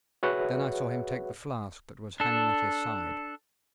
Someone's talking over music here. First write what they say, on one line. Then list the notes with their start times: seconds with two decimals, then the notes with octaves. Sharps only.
Then I saw him take the flask that was hanging at his side.
0.23 F#4 G#4 B4 C#5 E5 F#5
2.20 D4 A4